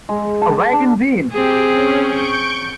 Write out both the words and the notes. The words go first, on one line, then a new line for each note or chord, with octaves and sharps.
A wagon wheel!
G#3
A5
D4
C4 G4 G#4
C#4
C#6 G6 D7